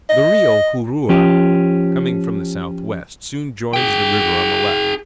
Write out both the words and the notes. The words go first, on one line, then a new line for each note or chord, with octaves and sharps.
The Rio Jurua, coming from the southwest, soon joins the river on the left.
D#5
F3 C#4 G4
G#4 G5